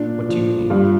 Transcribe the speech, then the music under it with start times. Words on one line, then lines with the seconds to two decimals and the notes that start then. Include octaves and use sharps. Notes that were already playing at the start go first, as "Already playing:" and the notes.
What do you mean?
Already playing: A#2 D4
0.29 F3
0.70 G2 F4